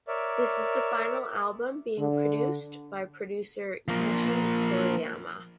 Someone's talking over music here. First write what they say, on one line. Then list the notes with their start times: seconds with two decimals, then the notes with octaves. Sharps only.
This is the final album being produced by producer Yuuji Toriyama.
0.08 A#4 C#5 D5 E5
1.99 D3
3.88 F3 A#3